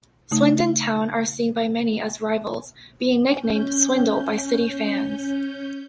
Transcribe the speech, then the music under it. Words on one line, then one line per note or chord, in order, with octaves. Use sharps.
Swindon Town are seen by many as rivals, being nicknamed 'Swindle' by City fans.
C#3 A3 D#4
C#4 G6